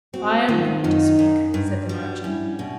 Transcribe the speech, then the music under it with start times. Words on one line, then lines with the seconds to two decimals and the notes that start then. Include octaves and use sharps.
"I am going to speak," said the merchant.
0.14 C4 F#4
0.49 D#3 F4
0.84 F#2 D#4
1.19 F#2
1.54 G2
1.89 G3 F#4
2.24 C#4 E4
2.59 B2